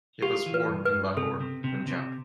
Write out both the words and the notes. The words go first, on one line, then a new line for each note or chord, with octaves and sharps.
He was born in Lahore, Punjab.
F4 G4
E3
B4
G2
B4
G2
C3 A4
C3
C3
C3